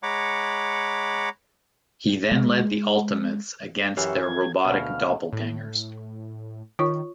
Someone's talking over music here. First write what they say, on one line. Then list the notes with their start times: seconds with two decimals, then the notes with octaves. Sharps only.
He then led the Ultimates against their robotic doppelgangers.
0.03 G#3 C#5 F#5 A#5 B5 D6
2.32 G#3
3.97 F#2 E3 G4 C#5 E5 F5
4.23 G#6
4.65 D2 B2 F5
5.33 A2
6.79 D#3 F4 C#5 C#6